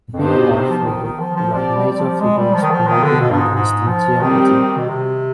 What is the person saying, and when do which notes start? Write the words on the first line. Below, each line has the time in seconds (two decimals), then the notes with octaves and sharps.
B. Warfield were major figures promoting the Princeton Theology.
0.13 F2
0.19 G2 B3 D#4 G4 C5
0.36 B2
0.53 C3
0.70 F3
0.86 D#3
1.03 D#3
1.19 F3
1.36 F3
1.52 F3 C4 G4 D5
1.75 G3
1.88 G3
1.98 F3
2.20 G#3
2.37 G3
2.54 F3
2.62 D#3
2.71 F3
2.87 D#3 F3 B3 F4
3.03 D3
3.21 B2
3.31 G2
3.38 G#2
3.55 G#2
3.88 F3
4.21 D#3 G3 C4 G4
4.77 B2
4.88 C3